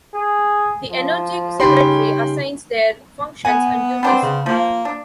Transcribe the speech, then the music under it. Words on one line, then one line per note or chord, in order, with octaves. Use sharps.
The Energy Secretary assigns their functions and duties.
G#4
F3
C#3 C#4 D#4 G4 G5 B5 C6
B3 F#5 G#5
B3 C4 D4 C5
C#3
F3 A#3
D4